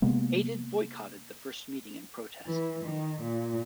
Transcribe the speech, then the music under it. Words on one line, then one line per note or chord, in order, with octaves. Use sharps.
Aidid boycotted the first meeting in protest.
C3 G#3 A#3 B3
E3
D#3
A#2